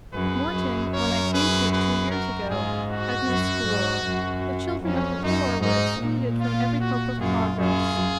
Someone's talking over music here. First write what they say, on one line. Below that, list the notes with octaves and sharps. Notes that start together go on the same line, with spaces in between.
Morton, when I came to it two years ago, had no school: the children of the poor were excluded from every hope of progress.
F#2 G#4 B4
F#2
A#4 C#5
G#4 B4
G#4 B4
F#4 A#4
G#2 F4 G#4
F#4
F#2
G#2
F#2
F2 C#4
F#2 D#4
G#2 D#4
A#2
F4
F#4
F#2 F4 G#4
F#2 F4 G#4